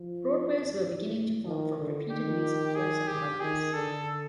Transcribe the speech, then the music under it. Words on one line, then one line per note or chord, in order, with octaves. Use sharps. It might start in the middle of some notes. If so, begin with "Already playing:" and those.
Roadways were beginning to form from repeated use of horse and buggies.
Already playing: F3
E3
D#3
D3
D#3 G4
G#4
G4
D#3 G#4
D3 A4